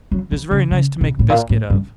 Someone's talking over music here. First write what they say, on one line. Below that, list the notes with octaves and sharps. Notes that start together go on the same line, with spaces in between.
It is very nice to make biscuit of.
F#3
E3
C#3
C#3
B2
A2
A#2
A2
G2